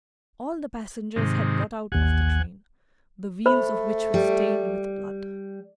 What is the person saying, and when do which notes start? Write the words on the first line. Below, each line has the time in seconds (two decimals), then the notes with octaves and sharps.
All the passengers had got out of the train, the wheels of which were stained with blood.
1.16 G#2 C3 D#3
1.92 A1 D#2 F#5 G#5
3.46 A3 C5 B5
4.14 G3